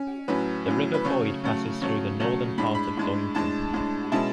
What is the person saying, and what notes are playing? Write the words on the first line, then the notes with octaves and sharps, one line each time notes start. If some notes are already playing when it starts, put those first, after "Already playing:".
The River Boyd passes through the northern part of Doynton.
Already playing: C#4
A2 F#3 C#4 B4
A2 F#3 C#4
B4
C#3 F#3 A3 C#5
C#3 F#3 A3
C#3 F#3 A3 C#5
C#3 F#3 A3
A2 G#3 D4 B5
B5
A2 G#3 D4
A2 G#3 D4 A5
A2 G#3 D4
B2 G#3 C#4 E4 A5